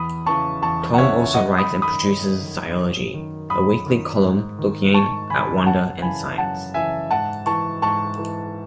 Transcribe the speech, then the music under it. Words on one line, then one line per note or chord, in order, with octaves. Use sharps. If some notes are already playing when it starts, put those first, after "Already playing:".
Tong also writes and produces "Ziyology", a weekly column looking at wonder and science.
Already playing: E2 B5 D#6
C#3 E3 A5 C#6
E2 A5 C#6
F#5
C#3 E3 C#5 E5
F#2 D#5 F#5
B5 D#6
D#3
B5 D#6
F#2
D#3
F#2
D#3
F#2 B5 D#6
D#3
G#2
D#3
G#2 A5 C#6
D#3 G#5 B5
F#2 F#5 A5
C#3 E3 G#5 B5
F#2 F#5 A5
C#3 E3 E5 G#5
G#2 F#5 A5
E3 A5 C#6
G#2 A5 C#6
E3